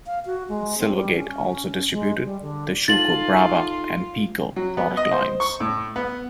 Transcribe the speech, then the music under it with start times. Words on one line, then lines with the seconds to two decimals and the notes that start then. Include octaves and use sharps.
Silvergate also distributed the Schuco, Brawa, and Piko product lines.
0.06 F5
0.26 F#4
0.49 G#3
0.78 C4
0.96 G3
1.15 C#4
1.90 G#3
2.23 G3
2.42 D3
2.88 D#4 F4 A4 A6 F#7
4.56 F#3
4.77 B3
4.97 D#5
5.12 C5
5.40 C#6
5.60 A2
5.96 B3